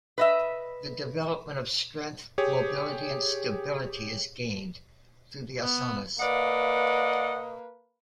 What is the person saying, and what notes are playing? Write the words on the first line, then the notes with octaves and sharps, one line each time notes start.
The development of strength, mobility and stability is gained through the asanas.
B4 D#5 E5
G4 G#4 C#5
B3
A#3 B4 D5 D#5 F5 F#5